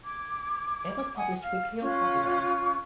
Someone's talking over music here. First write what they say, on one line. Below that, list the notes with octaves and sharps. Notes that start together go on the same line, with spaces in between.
It was published weekly on Saturdays.
D6 G#6
F#5 G#5 D#6
F5 F6
C#4 F4 C#6 F#6